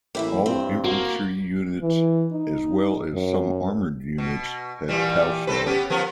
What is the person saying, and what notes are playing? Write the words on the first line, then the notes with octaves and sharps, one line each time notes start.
All infantry units as well as some armored units have Palsar.
A1 A#3 E4 E5
G2 C4
A#3 F#4
E3
D#4
F#2
B2
A#2 E3 G3
C4 A4 B4
B3 C#4 G4
F3 B3 A#4